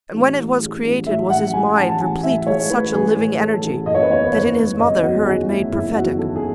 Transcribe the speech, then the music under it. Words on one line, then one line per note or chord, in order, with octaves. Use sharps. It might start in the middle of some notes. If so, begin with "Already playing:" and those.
And when it was created was his mind Replete with such a living energy, That in his mother her it made prophetic.
A1
A2
G#3
A1
A1 E5
A2 F#5
G#3 G#5
A1 A5
A1 G#5
A2 E5
G#3 C#5
A1 B4
A1 G#4
A2
G#3 A4
A1
F#1 D#5
C#5
B4
E2 C#5
B4
D#3 C#5
A3
F#1 D#5
E2 F#4
G#4
D#3 F#4
A3 E4
F#1 E4
E2 F#4
D#3 A4
G#4